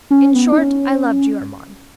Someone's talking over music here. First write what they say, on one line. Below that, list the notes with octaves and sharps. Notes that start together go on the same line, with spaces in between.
In short, I loved you, Armand.
C#4
B3
D#4
C#4